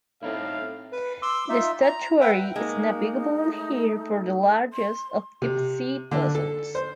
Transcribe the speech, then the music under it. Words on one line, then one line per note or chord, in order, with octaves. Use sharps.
The estuary is navigable here for the largest of deep-sea vessels.
A2 C4 D#4 E4 F5
B4
C6 D6 E6
D#4 F4 E5
A#5
B4 E5 F#5 G5
G#3 A#3 D#4
A3
C6
C3
D3
A4
C5